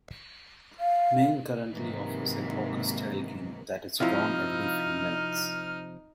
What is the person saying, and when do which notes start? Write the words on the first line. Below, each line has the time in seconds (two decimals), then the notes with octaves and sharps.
Maine currently offers a poker-style game that is drawn every few minutes.
0.80 F5
1.74 G#2 C3 D#3 E3 F#3 A#3
4.00 C3 F3 D#4 E4 F5 F6